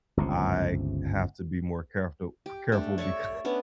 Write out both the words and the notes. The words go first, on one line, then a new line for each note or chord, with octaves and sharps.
I have to be more careful c careful becau
G1 C#2 C3
G4
A3 D4
C#5 D5 E5 C#6
B3 C#4 D4